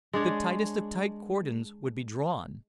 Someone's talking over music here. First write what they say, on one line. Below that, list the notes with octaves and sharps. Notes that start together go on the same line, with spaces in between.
The tightest of tight cordons would be drawn.
G#3 D4 C#5